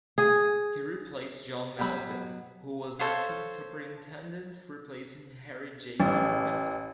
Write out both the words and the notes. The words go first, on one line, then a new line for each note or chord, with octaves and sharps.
He replaced John Melville, who was acting superintendent replacing Harry J. Corbitt.
G#4
B2 F#3 G4 B5
A4 C5 C#5 F5
A1